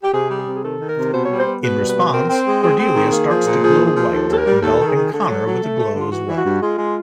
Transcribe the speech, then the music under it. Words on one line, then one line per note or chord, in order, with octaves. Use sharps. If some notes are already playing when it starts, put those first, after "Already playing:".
In response, Cordelia starts to glow white, enveloping Connor with the glow as well.
G4
C3 G#4
G3
G#4
C3
G#4
D#3 A4
D#3
A#4
C3
B2 C5
G3 C#5
C5
B3
B2 B4
G3
B4
B2
C4 A#4
C4
G#3
C4 G#4
C4
G#4
D#3
A#3
F3
A#2
F3 G#4
A#3
G#4
F3
D#2 A4
D#2 A4
A#4
G3
D#2 A4
D#3
G#4
D#3
D3 A4
F#3
F#3
A3
A3
D3 F4
E3 F#4
E3
F#4
G2
G#3 F4
G#3